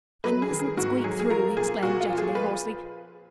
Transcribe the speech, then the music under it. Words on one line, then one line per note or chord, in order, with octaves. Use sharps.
"I mustn't squeak through," exclaimed Jutterly, hoarsely.
F#3 B4
G#4
D#3
G#4
G#2 F#4
F#3 G#4
G#4
F3 A#4
A#2 G#4
A#2 F#4
F4
F3
G#4
B4